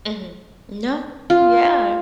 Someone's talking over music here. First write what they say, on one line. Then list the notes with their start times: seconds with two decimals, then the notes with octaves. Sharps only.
Mhm. No. Yeah.
1.30 F4